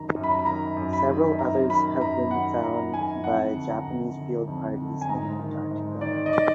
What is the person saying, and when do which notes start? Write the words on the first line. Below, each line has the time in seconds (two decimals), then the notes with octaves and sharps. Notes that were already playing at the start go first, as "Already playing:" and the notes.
Several others have been found by Japanese field parties in Antarctica.
Already playing: F#2 D#3 A#5
0.16 F#2
0.24 B5
0.31 A#5
0.39 B5
0.46 D#3 A#5
0.77 F#2
0.93 B5
1.09 D#3
1.39 F#2 A#5
1.70 D#3 B5
2.00 F#2 A#5
2.31 D#3 F#5
2.62 F#2 A#5
2.93 D#3 G#5
3.24 F2 F#5
3.54 D3
3.70 A#5
3.86 F2
4.17 D3
4.47 F2
4.78 D3
5.01 G#5
5.09 G#2 A#5
5.39 D#3
5.71 G#2
6.01 D#3 D5
6.26 D#5
6.33 D5